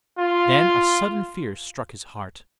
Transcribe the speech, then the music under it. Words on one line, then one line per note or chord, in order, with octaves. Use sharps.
Then a sudden fear struck his heart.
F4